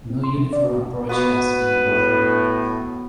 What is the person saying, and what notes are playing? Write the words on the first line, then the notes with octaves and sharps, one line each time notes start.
No uniform approach has been agreed on.
C4
C6
C3
D5
F#4
B3 F#4 B4 C#6
A2